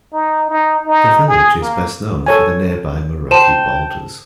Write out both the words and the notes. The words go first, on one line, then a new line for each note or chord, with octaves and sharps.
The village is best known for the nearby Moeraki Boulders.
D#4
D#4
D#4
G#4
A#3
A4 C#5 G#5
C5 G5 A5 D#7 E7